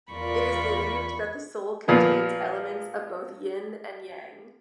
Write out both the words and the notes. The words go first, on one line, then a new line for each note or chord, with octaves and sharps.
It is believed that the soul contains elements of both yin and yang.
E2 F4 A#4 D5 B5 C#6
A#2 F3 B3